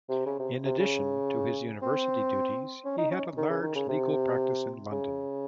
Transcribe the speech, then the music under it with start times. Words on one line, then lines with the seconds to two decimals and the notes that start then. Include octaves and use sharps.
In addition to his university duties, he had a large legal practice in London.
0.09 C3
0.26 C#3
0.39 C3
0.65 C3
0.79 C#3
1.82 C4
2.85 C#4
2.98 D#4
3.11 C#4
3.37 D#3
3.50 C#3
3.62 D#3
3.76 C#3
3.89 C3
4.91 C#3